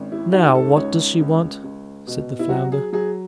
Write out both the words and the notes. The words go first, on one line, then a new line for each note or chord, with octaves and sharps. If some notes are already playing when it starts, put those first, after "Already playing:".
"Now, what does she want?" said the flounder.
Already playing: G#1 C#4
E4
G#2 F#4
A4
C#2 C#5
C#2
C#2
B2
E4
F#3 F#4
G#4
F#3 G#4